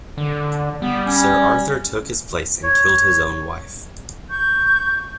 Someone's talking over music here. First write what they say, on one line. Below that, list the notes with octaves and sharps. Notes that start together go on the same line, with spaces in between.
Sir Arthur took his place and killed his own wife.
D3
G3 B3
C#4
C#5
C#6 G6